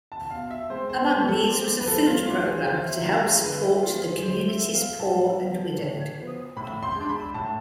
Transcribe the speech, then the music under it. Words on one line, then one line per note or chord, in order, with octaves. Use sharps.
Among these was a food program to help support the community's poor and widowed.
A5
B2 F5
E5
G#3 C4 C5
C5
B2 B4
A4
G#3 C4
B4
F3 A4
F4
A3 D4 F4
G#4
F3 F4
E4
A3 D4 F4
G#4
D3 B4
E4
F3 G#3 B3 E4 F4
G#4
D3 C5
E5
F3 G#3 B3 E4
F5
A2 A5
F3 B3
A2
F3 B3
A2 B5
C6
G#3
D4
B5
A2 A5